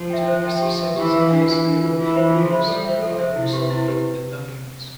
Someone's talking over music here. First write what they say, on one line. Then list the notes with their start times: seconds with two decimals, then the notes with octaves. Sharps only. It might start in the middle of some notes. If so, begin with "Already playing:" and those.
It took Mr Sims's office nearly four years to provide Yousoufian with the documents.
Already playing: F3
0.10 E5 G5
0.28 C5
0.45 E5 G5
0.62 G4
0.79 B4 E5
0.96 E3 G4
1.14 B4 E5
1.30 E3 D4
1.48 F4 B4
1.65 D4
1.82 F4 B4
1.99 E3 F4
2.16 C5 E5 B5
2.33 F3 F4
2.51 C5 E5 B5
2.67 G3 A4
2.85 C5 E5
3.02 F3 A4
3.19 C5 E5
3.36 C3 E4
3.53 G4 B4
3.70 E4
3.88 G4 B4